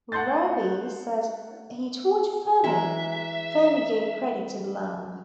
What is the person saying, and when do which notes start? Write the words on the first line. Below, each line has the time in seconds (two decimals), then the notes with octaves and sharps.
Rabi said he told Fermi; Fermi gave credit to Lamb.
0.12 F#5 A5 C6 G6 A6
2.64 E3 G#3 F#4 E5 A#5